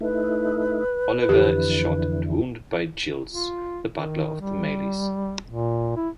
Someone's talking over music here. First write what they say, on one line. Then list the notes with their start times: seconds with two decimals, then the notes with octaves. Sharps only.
Oliver is shot and wounded by Giles, the butler of the Maylies.
0.01 A3 D#4 E4 B4
1.29 F2 D3 E3 G4
3.32 F4
3.93 D#3
4.41 G3
5.47 A#2
5.97 E4